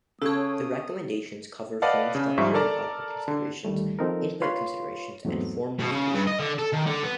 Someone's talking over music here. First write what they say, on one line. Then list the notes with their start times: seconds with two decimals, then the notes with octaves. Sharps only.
The recommendations cover form structure and output considerations, input considerations, and form navigation.
0.22 C#3 A4 C#5 D#6
1.82 B4 D5 D#5 F5 F#5 A5
2.15 C#3
2.38 G#2 F3 G3 E5 C#6
2.54 A4 A#4 D5 A5 A#5
3.28 D3
3.65 D2 D#3 G3 A3
3.99 F3 C4 D#4 A4 A#4
4.42 F4 B4 C#5 F5 C6
5.25 E2 G#2 F#3 A3 B3 C4
5.79 B2
5.92 C#3
6.14 G2
6.27 D#5
6.40 D3
6.59 A4
6.73 D#3
6.87 D3
7.04 B3